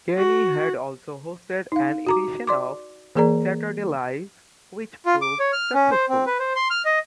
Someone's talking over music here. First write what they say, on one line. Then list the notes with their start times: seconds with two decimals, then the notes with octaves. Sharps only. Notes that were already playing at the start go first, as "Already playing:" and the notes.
Kenny had also hosted an edition of "Saturday Live" which proved successful.
0.18 F#4
1.72 D#4 F5
2.07 F#4 A#5 D6
2.47 D5 C6 D6
3.15 E3 A#3 G#4 A#4 D5 A#5
5.06 F4
5.22 D6
5.40 C#5
5.53 F6
5.74 C#4
5.91 C5
6.09 C4
6.26 B4
6.39 C5
6.56 C6
6.70 F6
6.85 D#5